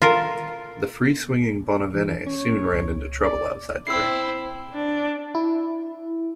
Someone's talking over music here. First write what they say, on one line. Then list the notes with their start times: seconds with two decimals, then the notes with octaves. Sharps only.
The free-swinging Bonavena soon ran into trouble outside the ring.
0.02 F4 A4 A#4
1.94 E3
2.26 C#4 C#5
2.73 C#2
3.23 D5
3.87 C4 E4 E6 C7
4.74 D4
5.35 E4